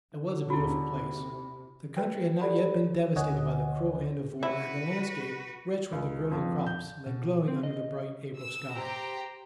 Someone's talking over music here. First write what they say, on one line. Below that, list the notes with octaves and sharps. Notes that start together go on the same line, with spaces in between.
It was a beautiful place. The country had not yet been devastated by the cruel hand of war, and the landscape, rich with the growing crops, lay glowing under the bright April sky.
D3
D#2 C#3 C#4 E4 F#4 B5
C3
B4 G5
G4 A4 D5 B5
C#5
D2 D3 C#5 D#5 F#5 G#5
E4 F#4 B4
C#2
F2
G6
B2
C4
D#5
E6
G4 C5 G5 A#5